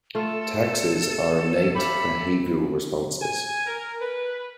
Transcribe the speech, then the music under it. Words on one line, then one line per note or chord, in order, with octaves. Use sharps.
Taxes are innate behavioural responses.
A3 F4 A4
G4 E5 F5 B5
G#5
A#4
B4